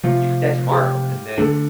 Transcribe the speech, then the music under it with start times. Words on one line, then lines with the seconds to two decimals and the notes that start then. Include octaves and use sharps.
you could die tomorrow, and then
0.04 C3 F3 A3 F4
0.71 G4
1.38 D3 A3 D4 A4